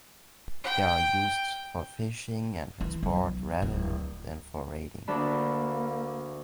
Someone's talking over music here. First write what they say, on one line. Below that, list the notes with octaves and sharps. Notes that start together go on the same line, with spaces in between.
They are used for fishing and transport rather than for raiding.
G5
E3
B1
D1
D2 A#3 D4 B5